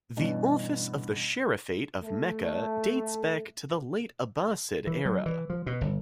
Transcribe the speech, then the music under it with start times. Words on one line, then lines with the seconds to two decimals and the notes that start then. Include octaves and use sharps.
The office of the Sharifate of Mecca dates back to the late Abbasid era.
0.17 G2 B2 E3 C#4 D4
2.03 A3
4.87 E3
5.06 F#3
5.26 E3
5.50 F3
5.66 B2
5.81 G1